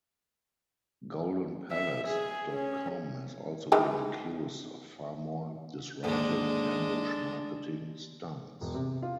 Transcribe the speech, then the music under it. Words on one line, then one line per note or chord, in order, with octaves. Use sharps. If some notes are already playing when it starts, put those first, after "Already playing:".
GoldenPalace dot com has also been accused of far more disruptive ambush marketing stunts.
E5
G#4
C#4
D#3 E3 G#3
D#2 G#2 D3 G#3 D4
E1
C3
F4